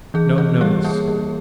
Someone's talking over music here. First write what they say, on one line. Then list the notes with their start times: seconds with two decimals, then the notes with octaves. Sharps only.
No notice.
0.14 E3 G#4
0.38 E3 G#4
0.61 G3 G4
0.84 A#3 G#4
1.08 E3